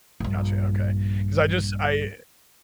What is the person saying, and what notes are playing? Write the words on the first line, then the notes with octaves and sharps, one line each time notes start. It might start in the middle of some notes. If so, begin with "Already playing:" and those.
Gotcha, okay, 'cause I just I
A#1 G2